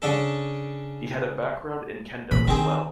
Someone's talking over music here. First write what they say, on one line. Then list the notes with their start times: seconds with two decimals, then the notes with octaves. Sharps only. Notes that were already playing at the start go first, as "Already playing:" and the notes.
He had a background in kendo as well.
0.02 C#3 D4 A4
2.31 A#2 E3 B5
2.48 D3 D#3 C4 G#4